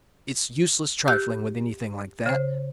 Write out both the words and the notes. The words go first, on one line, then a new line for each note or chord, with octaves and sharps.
It's useless trifling with anything like that.
G4 E6 F#6 G6
C#3 C5